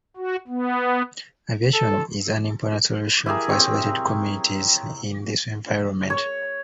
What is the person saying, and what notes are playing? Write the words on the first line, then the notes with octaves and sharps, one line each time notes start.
Aviation is an important solution for isolated communities in this environment.
F#4
B3
A4
E4 G4 G#4 A#4
C4 C#5
C#5